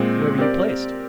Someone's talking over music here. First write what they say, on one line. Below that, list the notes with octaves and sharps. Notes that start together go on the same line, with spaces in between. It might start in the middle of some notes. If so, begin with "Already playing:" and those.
"Where were you placed?"
Already playing: A#2 G#3 C4
C4 G4 A#4 D5